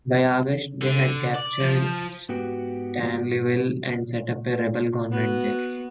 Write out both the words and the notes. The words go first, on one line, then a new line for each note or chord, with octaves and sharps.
By August they had captured Stanleyville and set up a rebel government there.
D3
D5
F3
G#2 B3 F#4 G4
B3 F#4